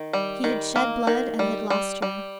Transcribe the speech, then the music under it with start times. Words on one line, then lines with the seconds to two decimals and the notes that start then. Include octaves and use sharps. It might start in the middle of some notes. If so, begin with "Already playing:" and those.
He had shed blood and had lost her.
Already playing: D#3
0.13 G3
0.44 D#3
0.76 A#3
1.07 D#3
1.39 G3
1.70 G3
2.02 G3